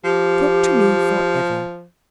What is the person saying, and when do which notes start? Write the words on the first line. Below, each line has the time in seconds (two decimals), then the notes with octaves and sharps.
Talk to me for ever.
0.04 F3 G4